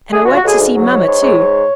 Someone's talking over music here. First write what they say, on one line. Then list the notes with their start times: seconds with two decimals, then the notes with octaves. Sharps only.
And I want to see mamma too.
0.13 D3 G#4
0.25 F#4
0.28 D2 F4
0.36 F#4
0.44 D2 G#4
0.59 G#2
0.75 F#3
0.83 C#5
0.90 G#2
1.06 G#2
1.21 G#2
1.38 G#2